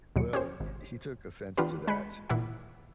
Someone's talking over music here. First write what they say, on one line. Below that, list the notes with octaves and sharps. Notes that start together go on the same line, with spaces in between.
Well, h he took offense to that
D#2 B2 F#3 C#7
C#4 G4 C5
G#1
E3 B3 D4 F4 G4 B4
G#3 G#5 B5 F#6 B6 C#7
G#1 A#2 E3 E4 F#5